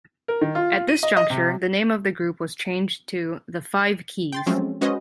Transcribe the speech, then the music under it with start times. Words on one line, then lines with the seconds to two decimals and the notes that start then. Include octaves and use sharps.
At this juncture the name of the group was changed to The Five Keys.
0.28 A#4
0.41 D#3
0.55 F4
0.72 F4
0.89 D#7
1.03 D#5
1.17 D#5
1.30 C3
4.32 G5 C6 A6
4.46 F3 F#3 G#3 A3 C4 C#4
4.81 G#3 C#4 F#4 B4 C5 D#5